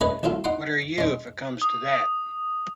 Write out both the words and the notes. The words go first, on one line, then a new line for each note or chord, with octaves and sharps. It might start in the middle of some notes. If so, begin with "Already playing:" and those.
What are you, if it comes to that?
A3 C#4 G#4 B4 D#5 G#5
C2 F#3 A3 F4 A4
D#4 F#5 G5 C6
G#3 C#4
D#6